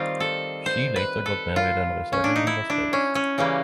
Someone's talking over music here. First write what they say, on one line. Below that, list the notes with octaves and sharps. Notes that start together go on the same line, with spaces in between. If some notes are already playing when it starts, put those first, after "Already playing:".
She later got married and resided in Las Vegas.
Already playing: D#3 G3 C4 F4
A4
C5
B4
A4
F4
C#4
D4
D#4
E4
D4
C#4
C#4
C#3 E3 G3 A#3